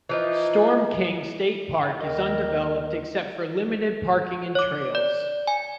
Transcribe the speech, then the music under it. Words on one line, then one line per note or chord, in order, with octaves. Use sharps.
Storm King State Park is undeveloped except for limited parking and trails.
E3 F3 D#4
D#2 A#4 D#5 G5
C#5 D6
D5
G#5